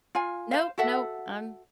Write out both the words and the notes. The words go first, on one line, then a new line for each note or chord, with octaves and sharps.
Nope, nope. I'm
F4 F5 G#5
C5 F5
F#4 A4 E5 F#5